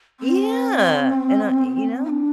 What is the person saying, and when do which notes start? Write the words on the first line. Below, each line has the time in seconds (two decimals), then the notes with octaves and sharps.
Yeah, and I you know?
0.20 C4
2.05 D#4
2.10 D4